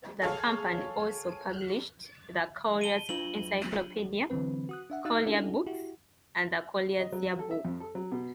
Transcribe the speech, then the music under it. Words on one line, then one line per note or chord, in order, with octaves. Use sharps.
The company also published the "Collier's Encyclopedia", Collier Books and the "Collier's Year Book".
G#4 A4 C#5 F5
A5 D7 D#7 G7
F#3 D4 F4 F#7
D3 E3 F#3 C4 B4
F#4 D#6 F#6
D4 E5 F#5
D#4 F#4 F5 E6 F#6 A6
C#4 D4 E4 G4 A4
E4 F#4 G4
D#5
F#3
A4
E5
F2
A4
F#3
B2